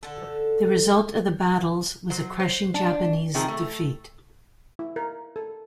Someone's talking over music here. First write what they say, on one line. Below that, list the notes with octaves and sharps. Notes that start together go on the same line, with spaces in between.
The result of the battles was a crushing Japanese defeat.
D3 A4
F#3 C5
C5
D4 A5
C3 D#3 F3 G#4
A3
E4
A#4
A4